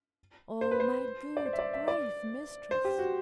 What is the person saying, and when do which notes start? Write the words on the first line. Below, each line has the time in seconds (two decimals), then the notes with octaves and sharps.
O my good, brave mistress!
0.61 C5
0.71 B4
0.80 C5
1.37 D5
1.45 C5
1.53 E5
1.59 D5
1.73 E5
1.88 D5
2.71 C5
2.85 G4
2.98 F#4